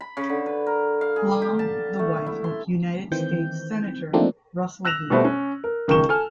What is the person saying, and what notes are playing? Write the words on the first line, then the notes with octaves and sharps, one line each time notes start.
Long, the wife of United States Senator Russell B.
B5
C#3
D3
B4
A#4
F5
G#4
G4
A5
A3
E4
C6
D#3 E3 C4 G6
F3 A3 A#3 C4 D4 D#4
E6 F#6 A#6 E7 F7
B2 G3 A3 B3 C4
C#4
A#4
C#2 D#3 A#3 C#6 E7 G7
A4 G#5 F6